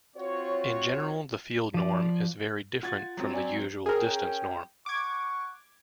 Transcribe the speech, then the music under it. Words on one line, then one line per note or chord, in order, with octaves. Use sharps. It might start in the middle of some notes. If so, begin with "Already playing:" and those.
In general, the field norm is very different from the usual distance norm.
C4 F4 F#4 C5 C#5
F3 D5
F4 F#5 G#6 A6
F#3 C4
C#5 D5 G#5
C#4 G#4 A#4 G5
F#5 C#6 D6 G#6